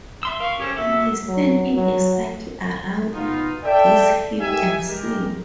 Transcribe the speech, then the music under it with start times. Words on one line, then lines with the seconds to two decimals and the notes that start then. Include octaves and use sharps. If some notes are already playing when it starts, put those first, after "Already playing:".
They stand in a circle around this heap and sing.
0.23 E5 C6 E6
0.40 A#4 F5 C#6
0.60 C#4 G4 A4 C5
0.77 A#3 F#4 A4 E5
1.27 F#3
1.75 F#3
3.13 B2 D#4 F4
3.64 A4 D5 E5 G5
4.39 D#4 G4 E5 G#5
4.88 G#3 G4 A#4